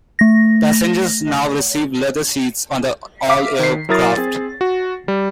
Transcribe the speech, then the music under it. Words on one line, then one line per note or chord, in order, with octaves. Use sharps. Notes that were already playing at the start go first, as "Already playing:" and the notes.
Passengers now receive leather seats on all aircraft.
A3 A#6
E5 F5 D6 B6
D#3 C7
F#3 E4 A#4 D#6 A6
C4 G#4
F#4
G3